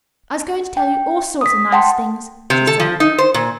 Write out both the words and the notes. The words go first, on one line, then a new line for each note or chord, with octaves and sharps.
"I was going to tell you all sorts of nice things," she said.
G5
D#6 B6
F#5 G5 A5 C6
C3
A4
F3
D#4
C5
A#2